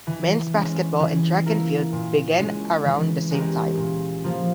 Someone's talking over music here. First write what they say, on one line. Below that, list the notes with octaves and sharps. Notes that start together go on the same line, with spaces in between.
Men's basketball and track and field began around the same time.
E3
G#3 C#4
E3
A#3 E4 A#4
A#2
G#3 C#4
E3
G#3 C#4 G4 A#4
A#2
F3 A#3